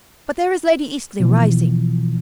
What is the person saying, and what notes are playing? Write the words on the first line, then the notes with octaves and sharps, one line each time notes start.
But there is Lady Eastleigh rising.
B2 E3 F3